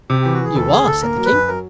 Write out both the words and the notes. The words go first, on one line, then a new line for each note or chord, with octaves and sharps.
'You are,' said the King.
C3 G4
E3 G4
F#4
E3 G#4
D2 A4
D2 G#4
D2 A4
A#3 A#4
F#3
B4
F#2
F#3 A#4